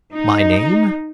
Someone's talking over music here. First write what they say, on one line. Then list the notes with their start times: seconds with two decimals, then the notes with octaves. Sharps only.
"My name?"
0.13 D#4